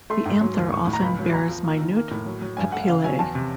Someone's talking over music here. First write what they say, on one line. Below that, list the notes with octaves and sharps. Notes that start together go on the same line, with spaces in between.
The anther often bears minute papillae.
A3 C6
G#2
F#3
D#2
A2 C#6
A2
A#5
C#2 B5
F#3
E2 A#5
F3
A#3
D#3
A#3
A2
F#3
F#3
G2 G#5
A3 F#5
C#3 F5
F#3 G#5
E2 A5
C3